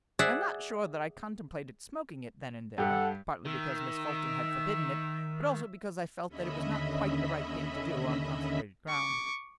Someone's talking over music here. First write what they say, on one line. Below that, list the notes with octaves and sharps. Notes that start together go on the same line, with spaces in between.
I am not sure that I contemplated smoking it then and there, partly because Miss Fulton had forbidden it, but also because I felt that it was not quite the right thing to do on consecrated ground.
G#4 D5 E5 F#5
G2 G4 A4 F#5
D#3 E5
D#2 D3 C#4 D#5 E5 B5
C#6 D6